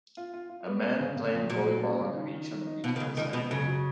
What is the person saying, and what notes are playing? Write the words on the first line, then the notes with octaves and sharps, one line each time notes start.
A man playing volleyball on a beach on a beautiful sunny day.
F4
F4
F4
B3
C#4
C#3
C#3
F2
A#2 F#3
F#3
C#4
C#3
D#3
D#3
D#3
D#4
B2 F4
D#3
C#2 C#3
C#2 D#3
C#2 B2
F#2 C#3
F#3